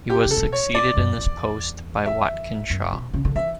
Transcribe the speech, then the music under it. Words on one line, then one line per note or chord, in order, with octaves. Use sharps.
He was succeeded in this post by Watkins Shaw.
G4
C#3
A4
A2
B2
C#5
D5
F#2
E2
E5
F#2
B2
C#3
D3
E3 E5